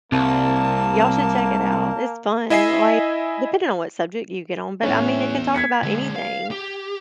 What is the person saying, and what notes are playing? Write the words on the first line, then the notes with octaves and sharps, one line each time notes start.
Ya'll should check it out, it's fun, like, depending on what subject you get on, but, I mean, it can talk about anything.
C2 A#3 C4 A5
E4 D#5 E5 G#5 C7
A2 B3 C#4 E4
G#6 B6 C#7
D3 G#3
F5
G4